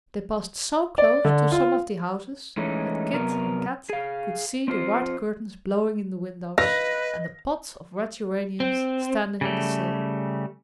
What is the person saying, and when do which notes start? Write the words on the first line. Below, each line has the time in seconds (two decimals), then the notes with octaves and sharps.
They passed so close to some of the houses that Kit and Kat could see the white curtains blowing in the windows, and the pots of red geraniums standing on the sill.
0.98 D5
1.25 D3
1.52 F4
2.57 E3 G#3 A3 C#4 D#4 E4
3.13 C3 F#3 B3 A#4
3.90 G#4 F5
4.68 C4 F4 C5
6.58 B4 D#5 F5 A#6
8.60 C4
9.41 C#3 G3 A3